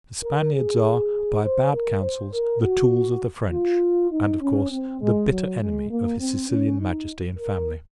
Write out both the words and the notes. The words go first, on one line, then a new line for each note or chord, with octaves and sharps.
The Spaniards are, by bad councils, the tools of the French; and, of course, the bitter enemy of his Sicilian Majesty and family.
A#4
G#4
C5
A#4
C5
A#4
F#4
F4
D#4
C#4
C4
G#3
F#3
G#3
A#3
C4
C#4
D#4
A#4